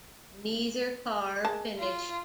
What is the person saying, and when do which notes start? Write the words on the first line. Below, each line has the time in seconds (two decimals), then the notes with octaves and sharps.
Neither car finished.
1.45 G#3 A#3 A5
1.78 F4